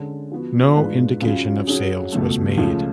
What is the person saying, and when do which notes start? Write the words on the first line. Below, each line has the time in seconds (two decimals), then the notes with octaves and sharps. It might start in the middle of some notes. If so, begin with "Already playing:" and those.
No indication of sales was made.
Already playing: D3 G#3 C#4
0.32 F3 B3 F#4
0.76 G#2 G#3 D4 F4 B4
1.22 C#3 F#3 C#4 F4
1.67 F#3 C#4 G#4
2.12 C#2 B2 A3
2.58 C#2 C#3 F3 A3